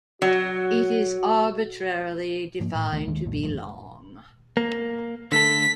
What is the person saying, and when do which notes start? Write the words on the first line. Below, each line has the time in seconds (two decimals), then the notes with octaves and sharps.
It is arbitrarily defined to be long.
0.22 F#3 F#4
2.60 G#2 F3 A#3
2.74 A2
2.92 C#2 D#3 A3
3.07 D#2 D#3 G#3
3.26 C2 F#2 A#2 D#3
3.43 G#1 D2 G#2 F3
4.57 A#3
5.32 D3 A3 A4 B6